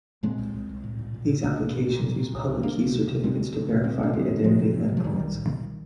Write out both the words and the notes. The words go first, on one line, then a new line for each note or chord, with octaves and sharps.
These applications use public key certificates to verify the identity of endpoints.
A#2 G#3 C4
C2
C2
C2
A#2
A#2
A#2
A#2
C2 A#3 D4
A#2
A#2
A#2
A#2
A#2
C2
C2
D2 A#3 D4
C3
D2
C3
C3 G#3 C4
D2
D2
C3
D2 G#3 C4
D2 D4
D2 G#3 C4
D2
C3 F3 G#3
C3
C3
C3
F3
C2 D#3 G3
C2
A#2
C2